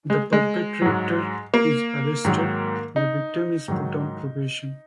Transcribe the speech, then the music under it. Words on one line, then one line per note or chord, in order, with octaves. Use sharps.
The perpetrator is arrested; the victim is put on probation.
G#3
G#3
G#2 F#3
A#3
G#2 D#3 F#3
D#4
G#2 D#3 F#3